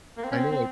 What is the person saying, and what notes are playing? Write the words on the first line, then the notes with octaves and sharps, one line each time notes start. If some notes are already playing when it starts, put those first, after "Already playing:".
I know it
A#3
C4
C#4
C4
C4